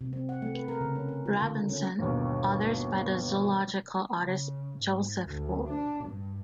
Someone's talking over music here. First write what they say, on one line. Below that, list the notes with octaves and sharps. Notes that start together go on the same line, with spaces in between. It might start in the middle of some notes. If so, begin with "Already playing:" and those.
Robinson; others by the zoological artist Joseph Wolf.
C3
C4
F#5
A3
B4
A#4
C#3
C#4
A#4
F4
D3
C#4
G1 D#2 B2
C#3
G#2
D2
D4
G2